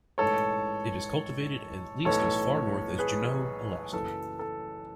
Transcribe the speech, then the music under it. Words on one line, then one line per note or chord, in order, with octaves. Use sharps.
It is cultivated at least as far north as Juneau, Alaska.
A1 G#2 E3 A4 C#5
B1 A2 E3 A4 C#5
G#4 B4
F#1 F#2 E3 A4
A4